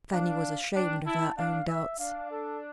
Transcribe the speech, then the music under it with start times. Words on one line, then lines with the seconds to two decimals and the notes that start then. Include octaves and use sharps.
Fanny was ashamed of her own doubts.
0.12 D4 F5
0.74 D4 G5
1.05 E4 A5
1.37 D4 F5
1.68 E5
1.99 D4 F5
2.31 A4